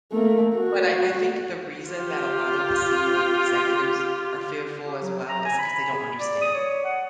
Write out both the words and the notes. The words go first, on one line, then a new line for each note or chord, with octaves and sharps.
but I I think the reason that a lot of the senior executives are fearful as well is 'cause they don't understand it.
A3 A#3
F#4
F4 G4
G4
F#3
A#5
G#5
B5
G#4
D5
D#6
C#5
F#5